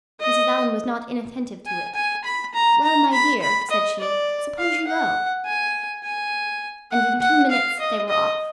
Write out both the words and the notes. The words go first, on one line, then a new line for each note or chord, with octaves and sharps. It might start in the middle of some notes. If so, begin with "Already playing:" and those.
Mrs. Allen was not inattentive to it: "Well, my dear," said she, "suppose you go." And in two minutes they were off.
D#5
G#5
G#5
B5
A#5
A#5
B5
B5
D#5
D5
F5
F#5
G#5
G#5
F#5
F#5
F5
D#5
D#5